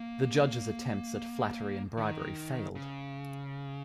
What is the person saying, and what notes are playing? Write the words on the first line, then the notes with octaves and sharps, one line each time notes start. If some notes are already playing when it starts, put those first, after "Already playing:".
The judge's attempts at flattery and bribery failed.
Already playing: A#3
A#3
D#3
C#3